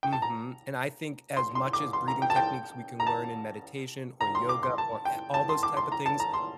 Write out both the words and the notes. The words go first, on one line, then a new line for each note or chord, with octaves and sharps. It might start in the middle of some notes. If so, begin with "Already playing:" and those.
Mhm. And I think as much as breathing techniques we can learn in meditation, or yoga, or a all those type of things
G5
A5
A#5
C6
C6
D6
C6
A#5
G5
A5
G5
A#5
A5
A#5
C6
D6
C6
A5
G5
A5
C6
D6
C6
A#5
A5
A#5
C6